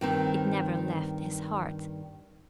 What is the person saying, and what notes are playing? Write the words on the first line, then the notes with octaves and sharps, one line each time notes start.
It never left his heart.
G2 D#3 C4